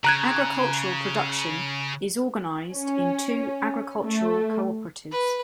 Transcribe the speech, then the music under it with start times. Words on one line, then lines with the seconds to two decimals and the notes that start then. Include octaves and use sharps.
Agricultural production is organised in two agricultural cooperatives.
0.04 C#3 A#5 F#6 G#6
2.74 C#4
4.04 A3
5.11 B4